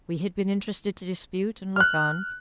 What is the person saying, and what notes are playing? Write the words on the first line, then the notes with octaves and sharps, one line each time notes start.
We had been interested to dispute and look on.
F6 F#6